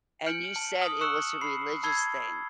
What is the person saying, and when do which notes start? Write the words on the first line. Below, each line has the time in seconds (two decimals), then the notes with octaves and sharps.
and you said it was a religious thing
0.26 G#5 F6 G6 C#7 D7 F#7
0.56 A5
0.81 D#6 F6 F#7 G7
1.01 C#6 E6 F#6 C#7 E7
1.41 B5 C7
1.83 A5 B5 E6 G#6 C7 G7